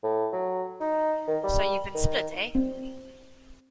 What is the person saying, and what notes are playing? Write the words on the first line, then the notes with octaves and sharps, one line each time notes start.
So you’ve been spilt, eh?
A2
F#3
D#4
D#3
G3
D#3
C4